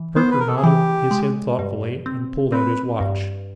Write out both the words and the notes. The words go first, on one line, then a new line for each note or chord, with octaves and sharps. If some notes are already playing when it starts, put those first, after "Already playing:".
Perker nodded his head thoughtfully, and pulled out his watch.
Already playing: E3
B3 C5
B4
A#4
A4
G#4
E3 G4
G#3
G2
C4
C4 B4
G2